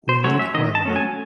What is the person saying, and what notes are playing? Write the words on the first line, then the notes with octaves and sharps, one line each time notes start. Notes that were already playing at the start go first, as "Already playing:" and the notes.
We need harmony.
C5
F#3 A3 C#4 C#5
E5
D#3 D#5
A5
F#3 A3 C#4
G#5